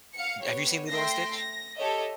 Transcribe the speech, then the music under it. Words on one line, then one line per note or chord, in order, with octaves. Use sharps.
D Have you seen Lilo and Stitch?
F5 F#5 C#7
B3 G4 C#5
A3 E5 G5 C6 A#6 C7
A#6
G4 A4 C#5 D#5 E5